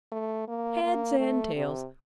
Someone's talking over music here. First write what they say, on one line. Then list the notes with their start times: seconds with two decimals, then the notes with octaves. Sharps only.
Heads and tails.
0.12 A3
0.48 A#3
0.83 A#3
1.19 A3
1.55 C3